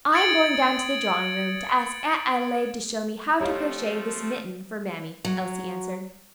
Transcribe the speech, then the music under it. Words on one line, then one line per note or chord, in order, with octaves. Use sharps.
"I am going down to the drawing-room to ask Aunt Adelaide to show me how to crochet this mitten for mammy," Elsie answered.
D#6 G#6 A6 C#7 D7 F#7
F3 A3 C4 G4 C#5 D#5 F5
F#3